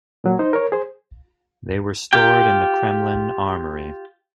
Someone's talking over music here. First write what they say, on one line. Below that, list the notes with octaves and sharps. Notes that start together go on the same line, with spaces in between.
They were stored in the Kremlin Armoury.
A#2 F#3
D#4 C5
A#4 C#5
G#4 C5
F4 G4 G5